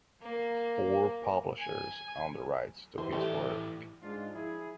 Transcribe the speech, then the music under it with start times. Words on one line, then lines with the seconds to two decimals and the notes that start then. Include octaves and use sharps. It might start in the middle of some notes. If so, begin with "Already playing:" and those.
Four publishers own the rights to his work.
0.23 A#3
1.58 G#5
2.98 E3 C5
3.12 A2 G3 A3 G4
4.01 G#2 G#3 D4 F4
4.34 F3 E4 G#4